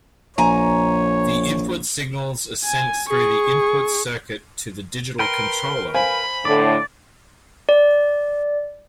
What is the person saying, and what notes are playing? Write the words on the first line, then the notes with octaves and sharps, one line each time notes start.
The input signals are sent through the input-circuit to the digital controller.
A#1 C#5 G#5 A#5
G#5
G#4 C#6
A#4 B4 G5 C6
C5 F5 G#5 B5
A2 D3 D5
D5